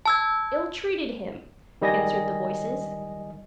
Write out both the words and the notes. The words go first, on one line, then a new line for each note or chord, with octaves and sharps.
'Ill-treated him!' answered the voices.
A5 E6 G#6
D#3 G3 D#5 G#5 A#6